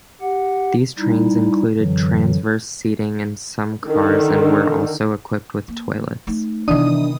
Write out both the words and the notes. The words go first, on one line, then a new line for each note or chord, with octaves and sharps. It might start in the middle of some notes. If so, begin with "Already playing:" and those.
These trains included transverse seating in some cars and were also equipped with toilets.
G4 F#5
G3 D#4 E4
F#2 D3 E3 F#3
D3 D#3
A#3
A3 D#4
C3 D#3 E3 B3 D4 D#6